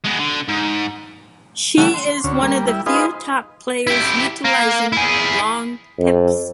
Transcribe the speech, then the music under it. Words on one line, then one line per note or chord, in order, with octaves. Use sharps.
She is one of the few top players utilizing long pips.
G#3 B3
D3
G#2
C#3 E3 G3 A3 F#5
C6
D2 C#4
G3 A#3
G3 E4
D#4 F4 G#4 B4 C5 D#5
E4 G4
A#3
E4 G#4
F2